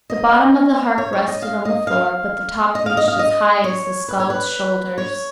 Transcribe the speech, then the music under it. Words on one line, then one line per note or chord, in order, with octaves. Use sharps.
The bottom of the harp rested on the floor, but the top reached as high as the skald's shoulders.
D#5
C#5
C#5
D#5
F5
D#5
F5
D#5
F5
D#5
F5
D#5
C#5
B4
C#5
B4
C#5